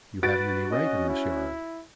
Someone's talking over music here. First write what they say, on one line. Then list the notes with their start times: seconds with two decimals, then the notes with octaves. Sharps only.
"You haven't any right in this yard."
0.23 F#4 B4 A6 D7
0.71 C#4 D#5
1.09 E4